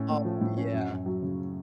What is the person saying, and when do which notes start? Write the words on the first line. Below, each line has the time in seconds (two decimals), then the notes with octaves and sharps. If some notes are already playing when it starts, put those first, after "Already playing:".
Oh yeah.
Already playing: A2 C#4
0.08 A3
0.25 F3
0.41 A2
0.57 C#4
0.73 F#2
0.89 F#2
1.06 F#3
1.23 C#3